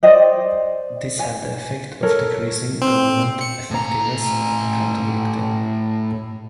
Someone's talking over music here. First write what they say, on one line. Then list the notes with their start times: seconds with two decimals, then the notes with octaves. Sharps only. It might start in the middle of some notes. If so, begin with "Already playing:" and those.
This had the effect of decreasing government effectiveness and accountability.
0.03 C5 D5 D#5 G5
1.19 G#5
2.03 A4 A#4 C#5
2.82 C4
3.41 C#7
3.71 A2 A#5